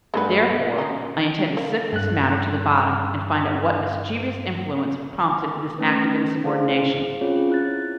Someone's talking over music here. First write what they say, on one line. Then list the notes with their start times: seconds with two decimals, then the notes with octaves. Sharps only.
Therefore, I intend to sift this matter to the bottom and find out what mischievous influence prompted this act of insubordination.
0.14 G2 G#3 A3 D#4 B4 F#5
0.51 B2
0.78 C#4 D#4
1.57 A#3
1.93 G2 F#6
5.78 A3 C#4 B4
6.44 E4 G#4 C5 F5
7.21 C4 C#4 F4 G#4 C#5
7.50 E4 F#6 A6